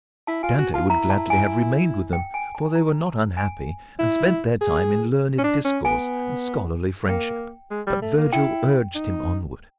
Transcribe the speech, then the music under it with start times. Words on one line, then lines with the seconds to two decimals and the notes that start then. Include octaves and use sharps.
Dante would gladly have remained with them, for they were not unhappy and spent their time in learned discourse and scholarly friendship, but Vergil urged him onward.
0.27 E4 A5
0.43 F4 G#5
0.59 F#4
0.74 F4 A5
0.90 E4 A#5
1.10 A5
1.30 G#5
2.13 G5
2.34 G#5
2.55 A5
2.75 A#5
3.06 A5
3.37 G#5
3.99 E4
4.61 G#4
5.38 C#4
5.44 D4
5.65 C#4
5.85 B3 G#5
7.09 A#3 G5
7.71 G#3
7.87 G3
8.02 A3
8.17 A#3
8.33 E4 G5
8.95 D#4